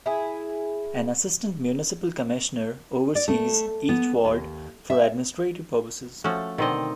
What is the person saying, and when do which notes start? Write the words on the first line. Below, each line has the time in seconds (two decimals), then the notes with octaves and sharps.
An assistant municipal commissioner oversees each ward for administrative purposes.
0.06 E4 G#4
3.15 D5
3.28 A3
3.89 B3
4.25 D#2
4.90 E5
6.24 F3 A3 C#4 F#4
6.58 B2 D3 D#3 C4 D#5